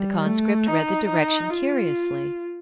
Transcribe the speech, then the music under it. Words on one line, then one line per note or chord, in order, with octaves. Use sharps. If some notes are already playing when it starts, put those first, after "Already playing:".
The conscript read the direction curiously.
Already playing: G3
A3
D#4
D#4
F4